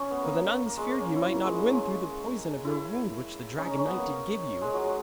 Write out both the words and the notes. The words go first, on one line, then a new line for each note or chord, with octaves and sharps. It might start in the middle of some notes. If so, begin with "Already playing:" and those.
'For the nuns feared ye might not win through the poison of your wound which the dragon knight did give you.
Already playing: C#4
B3
A#3
A#3
G#3
A#3
C#4
E4
A#3
G#3
G#3
E4
C#4
D#4
C#4
B3
A#3
G#3
F#3
G#3